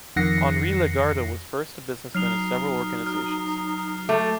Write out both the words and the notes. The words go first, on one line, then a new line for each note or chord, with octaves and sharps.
Henri Legarda was first a businessman in several organizations.
F2 D#3 F#5 A#6 C7 C#7
F#3 D#4 F6 C7 F7
F#3 F6
A3 D6 G6